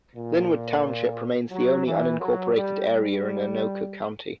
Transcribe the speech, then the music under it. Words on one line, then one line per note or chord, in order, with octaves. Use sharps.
Linwood Township remains the only unincorporated area in Anoka County.
A#2
F#3
E3
F#3
G3
G3